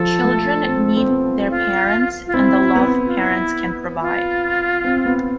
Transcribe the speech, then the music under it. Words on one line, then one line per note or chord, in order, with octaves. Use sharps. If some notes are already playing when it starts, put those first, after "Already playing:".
Children need their parents and the love parents can provide.
Already playing: F3 A4
A3
C4
C4
B3
F4
F4
C4 E4
B3
F4
E4
F4
C4
B3